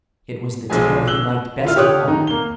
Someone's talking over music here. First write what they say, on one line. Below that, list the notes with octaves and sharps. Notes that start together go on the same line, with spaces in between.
It was the tale he liked best of all.
B1 F3 G#3 G#4 G#5
E6 F#6 F#7 G7
E4 F4 F6
G4 C#5 D#6 F#6
D#3 D#4
A#3 G7